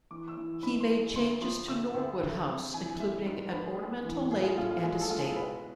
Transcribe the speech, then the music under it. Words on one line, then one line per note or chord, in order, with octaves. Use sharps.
He made changes to Norwood House including an ornamental lake and a stable.
E3 D6
E6
E3
G#2 B5
C6
G#3
D2 C6
F3 C6
D2 E6
D2
D2
C3
E3 G#5
G#3 E5
G#2 D5
G#2 B4
G#4
G#3
E3
A2 G#4
F4
A2 F4
F4
G#3 G#4
A4
G#3 F4
G#4
B2 B4